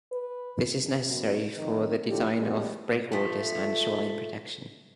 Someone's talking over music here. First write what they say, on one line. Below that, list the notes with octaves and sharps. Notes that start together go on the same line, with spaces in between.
This is necessary for the design of breakwaters and shoreline protection.
B4
F#2 B2
F2 D#3
A2 D3 F3 G4
E2 A#2 G3 G#3 B3 C#4
F3 A3